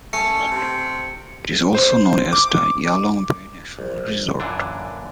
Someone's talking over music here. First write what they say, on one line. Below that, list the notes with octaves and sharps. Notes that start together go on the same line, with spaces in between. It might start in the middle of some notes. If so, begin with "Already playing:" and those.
It is also known as the Yalong Bay National Resort.
A3 C#4 C#7
C3
C5
D6
A#1
F#2 A#2 D3 E3 D4